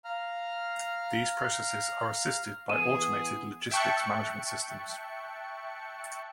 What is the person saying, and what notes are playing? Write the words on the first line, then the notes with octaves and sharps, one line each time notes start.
These processes are assisted by automated logistics management systems.
F5 A#5 F6
E3 B3 G#4 D#7 E7
E5 G5 A5 C#6 F#6 C#7